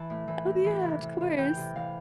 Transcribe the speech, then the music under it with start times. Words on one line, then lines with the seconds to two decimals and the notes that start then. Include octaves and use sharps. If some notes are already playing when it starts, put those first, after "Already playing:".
Oh, yeah, of course.
Already playing: E3 A5
0.10 A2
0.28 E3
0.46 A2
0.64 E3
0.83 C3
1.02 E3
1.21 C3
1.38 E3 G5
1.57 C3
1.76 E3 F5